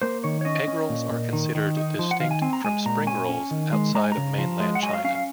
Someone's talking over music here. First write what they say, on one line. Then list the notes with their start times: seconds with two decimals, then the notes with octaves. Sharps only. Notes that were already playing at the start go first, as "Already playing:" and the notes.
Egg rolls are considered distinct from spring rolls outside of mainland China.
0.02 A#3 C5
0.24 D#3 C#5
0.41 C#5
0.45 C#4 D#5
0.68 C#4
0.89 A#2
1.11 A#2
1.33 D#3
1.55 D#3
1.77 D#4
1.99 F3
2.11 F#5
2.20 D#3 F5
2.31 G#5
2.42 C4 G#5
2.53 A#5
2.64 G#3 G#5
2.86 A#2 A#5
3.07 C#4 G#5
3.29 C#4
3.51 D#3
3.72 G#3
3.95 G#3 A#5
4.04 G#5
4.12 A#5
4.17 C#3
4.38 F3
4.60 G#3
4.75 F#5
4.82 F#3 G#5
4.89 D#5
4.94 F5
5.04 C#4 F5
5.15 F5